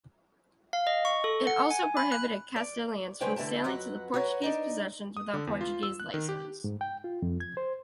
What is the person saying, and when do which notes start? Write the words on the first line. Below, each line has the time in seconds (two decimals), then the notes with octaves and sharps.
It also prohibited Castilians from sailing to the Portuguese possessions without Portuguese licence.
0.73 F5
0.87 D#5
1.05 C#6
1.24 A4
1.47 F#5
1.71 G#5
1.97 B5
2.12 F#6
2.56 D5
3.21 D3 G3 C#4 B4 C5 G5
3.36 D3 A3 E4 G4 A5
3.64 F2 F#3 B4 F#5
4.14 F#4 A#4 B4 C#5
4.42 D4 D#4 A#4
5.17 D#6
5.33 D3
5.47 E2
5.61 F4
5.83 E6
6.00 F#6
6.14 D#3
6.29 G4
6.64 G#2
6.81 G5
7.04 F4
7.22 F2
7.40 G#6
7.57 C5